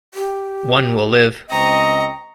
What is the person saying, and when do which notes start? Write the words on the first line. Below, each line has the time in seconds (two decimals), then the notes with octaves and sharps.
One will live.
0.14 G4
1.50 C#2 C4 D#5 G5 A#5 C#6